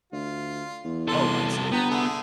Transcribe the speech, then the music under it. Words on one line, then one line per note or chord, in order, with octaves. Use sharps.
Oh, absolutely.
D2 F4
E2
C2 A4 C6
G1 B3 G5 A#5
D3 A3 G#4